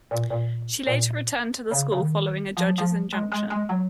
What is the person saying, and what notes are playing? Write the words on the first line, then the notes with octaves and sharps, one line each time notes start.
She later returned to the school following a judge's injunction.
A#2
A#2
A#2
C#3
C#3
D#3
F3
F#3
F3
G#3
G#3
G#3
F#3